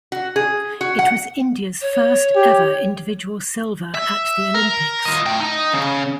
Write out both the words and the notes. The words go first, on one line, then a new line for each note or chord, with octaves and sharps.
It was India's first ever individual silver at the Olympics.
F#4
G#4
F#4
F#5
C#5
G4
E5
A#4
F4 D#5
A3 G5
D#4
C#3